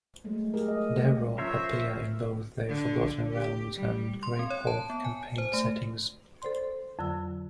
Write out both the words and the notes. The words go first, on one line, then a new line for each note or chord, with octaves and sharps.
Derro appear in both the Forgotten Realms and Greyhawk campaign settings.
F#3 G#3 A3
G4 G#4 A#4
D#5
G#3 A4
G3 A3
F3 C#4 A#4 C5 C#5 E5
D3
G4
G3
C6
C4
C#5
A5
B3
G#5
C5
A3
A4 C5 D5 C6
F2 D3 F#3 E6